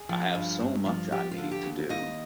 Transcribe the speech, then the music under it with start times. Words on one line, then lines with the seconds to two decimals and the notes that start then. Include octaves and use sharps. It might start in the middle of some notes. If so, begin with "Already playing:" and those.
I have so much I need to do.
Already playing: G#4
0.09 F3
0.35 G2
0.60 G2
0.86 F3
1.12 F3 G4
1.31 F4
1.38 D3
1.51 G4
1.63 D#2
1.89 D#2 D#5